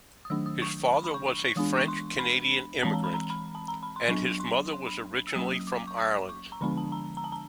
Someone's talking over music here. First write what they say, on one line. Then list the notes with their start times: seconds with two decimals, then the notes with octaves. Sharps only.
His father was a French-Canadian immigrant, and his mother was originally from Ireland.
0.25 D#6
0.30 D#3 F#3 A3 D4 E6
0.46 D#6
0.62 C#6
0.93 B5
1.04 B5
1.14 C#6
1.56 E3 G#3 B3 D4 D#6
1.78 C#6
1.88 C6
2.19 B5
2.83 E3 G#3 C4 A5
2.94 A#5
3.04 B5
3.14 A#5
3.30 B5
3.55 A5
3.68 A#5
3.83 B5
3.96 C6
4.08 F#3 B3 D4 C#6
4.40 C6
4.72 C6
4.87 B5
5.27 E6
5.35 F#3 A#3 C#4 D#6
5.67 D6
5.77 D6
5.87 C#6
5.99 D6
6.29 C#6
6.52 A#5
6.61 D3 F3 G#3 B3 D4 B5
6.77 A5
6.92 A#5
7.17 A#5
7.24 A5
7.32 A#5